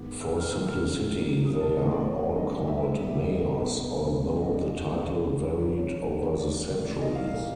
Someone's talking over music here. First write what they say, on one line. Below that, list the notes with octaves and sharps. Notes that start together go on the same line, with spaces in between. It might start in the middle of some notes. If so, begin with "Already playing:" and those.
For simplicity they are all called mayors, although the title varied over the centuries.
Already playing: G#2 D#3 G#3 B3 D6
E6
F6
E2 C#3 F3 E6
F6
A#2 G3 A#3
D#6
A5
A2 E3 G#3 B3 D#5
D5
C#5
D5
G2 D#3 G3 D#5
E5
A#2 G3 B3 E5
D#5
B2 G#3 B3
F#2 D3 F#3 A3
D#5
D5
C3 F3 A#3
G2 D#3 G#3
C#5
G2 E3 A3
D5
C3 E3 A3
D5
D#5
F5
A#2 G3 A#3